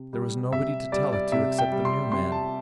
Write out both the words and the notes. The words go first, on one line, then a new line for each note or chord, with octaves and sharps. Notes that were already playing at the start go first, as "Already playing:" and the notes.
There was nobody to tell it to except the new man.
Already playing: C3
G3
C3 E5
G3 D5
D5
C3 E5
G5
G3
C6
C3 C6
A5